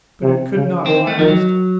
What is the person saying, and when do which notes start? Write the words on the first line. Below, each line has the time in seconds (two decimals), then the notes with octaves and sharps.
But it could not last.
0.23 C3
0.54 C#3
0.86 D#3 C4
1.07 A3
1.18 D#3 F3
1.28 F#3